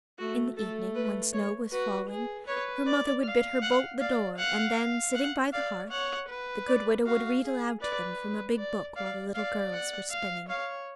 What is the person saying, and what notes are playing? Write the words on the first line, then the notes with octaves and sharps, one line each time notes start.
In the evening, when snow was falling, her mother would bid her bolt the door, and then, sitting by the hearth, the good widow would read aloud to them from a big book while the little girls were spinning.
A3 F#4
A3 A4
B4
C#5
F#4 B4
G#4
B4 C#5
D5
F5
F#5
D5 F5
F5 F#5
F#5
D5 F5
C#5 F#5
B4
D5
F#4 F5
G#4
B4 D5
D5
D5 F5
D5 F5
F#5
F5
C#5 F5